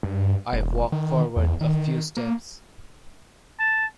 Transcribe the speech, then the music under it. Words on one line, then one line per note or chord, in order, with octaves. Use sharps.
I walked forward a few steps.
G2
E1
D#3
E2
D#3
A#3
A5